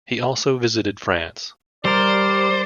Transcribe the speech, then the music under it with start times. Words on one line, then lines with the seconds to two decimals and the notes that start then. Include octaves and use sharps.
He also visited France.
1.85 G3 A#4 C5 D5